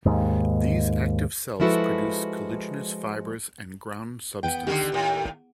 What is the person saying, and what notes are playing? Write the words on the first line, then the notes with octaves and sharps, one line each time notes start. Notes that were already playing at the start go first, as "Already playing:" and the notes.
These active cells produce collagenous fibers and ground substance.
D#2 G#2
F3 G#3 E4 F#4 A4 B4
B3 B4 G5
D3 D#3 G4
D#2 A2